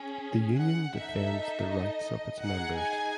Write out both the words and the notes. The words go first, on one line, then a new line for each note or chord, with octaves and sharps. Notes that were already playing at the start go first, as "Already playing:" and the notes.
The union defends the rights of its members.
Already playing: C#4 G#4
F#5
D#4 A4 E5
D#5
D#4 G#4 F#5
G#5